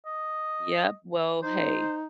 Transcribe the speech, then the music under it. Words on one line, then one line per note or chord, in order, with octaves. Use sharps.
Yup, well hey,
D#5
D#4 C5